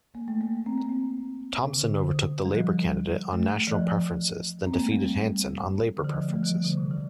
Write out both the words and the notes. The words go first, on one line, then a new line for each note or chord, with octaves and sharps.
Thompson overtook the Labor candidate on National preferences, then defeated Hanson on Labor preferences.
A#3
A3
A#3
C4
A#3
C4
C3
D3
D3
D3
G3
F3
A3
E3
F3
C4
A#3
A3
G3
D3
E3
F3
A3
G3
F3
E3
D3
C3
E3